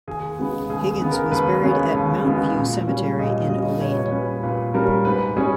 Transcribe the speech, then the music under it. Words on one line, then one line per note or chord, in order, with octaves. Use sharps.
Higgins was buried at Mount View Cemetery in Olean.
D#2 G#4
C#3 G#3 B3
D#2 G#4
G#4
C#3 G#3 B3
A#4
D#2 B4
C#3 G#3 B3 C#5
D#2
C#3 G#3 B3
A#2
G3 C#4
A#2 D#5
G3 D#5
C#4
A#2 C#5
B4
C#5
G3 C#4 B4
A#2 B4
G3 C#4 A#4
G#2 B4
G3 C#4 G#4